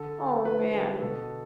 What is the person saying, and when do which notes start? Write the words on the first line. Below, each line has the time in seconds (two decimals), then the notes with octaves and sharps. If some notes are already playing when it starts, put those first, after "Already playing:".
Oh man.
Already playing: D3 A4
0.18 D3
0.45 F3 B4
0.74 D3
0.94 B4
1.01 B2 A4